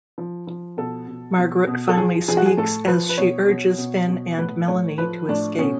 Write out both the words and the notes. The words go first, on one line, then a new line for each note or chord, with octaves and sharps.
Margaret finally speaks as she urges Finn and Melanie to escape.
F3
F3
B2 A4
B2
B2
B2
A4
F3 G#4
F3 G#4
F#4
G#4
A2 A4
F3 B4
B4
B2 C#5
B2
B2
B2
A2 B4
A2 C#5
F3 B4
A2 D4
B2 C#4